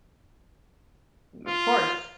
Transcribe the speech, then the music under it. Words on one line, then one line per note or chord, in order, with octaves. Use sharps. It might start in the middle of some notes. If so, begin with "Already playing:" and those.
Of course.
F4